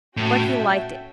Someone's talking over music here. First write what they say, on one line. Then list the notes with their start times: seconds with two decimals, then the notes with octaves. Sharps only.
But he liked it.
0.17 A2 C#4 F#4 A4 E5 G5